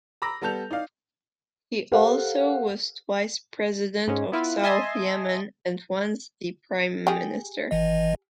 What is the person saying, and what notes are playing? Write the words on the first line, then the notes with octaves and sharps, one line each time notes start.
He also was twice president of South Yemen and once the Prime Minister.
A#5 B5 D6 E6 A#6
G3 B3 A4 A5 G6 F7
D#4 D5 F5
G4 A4 A#4 C5 F5 F#5
G#2 G#3 C#4
B3 E4 F4 B4
D#5 E5 G#5 A5 C6
G4 G#4
G#1 E3 D#5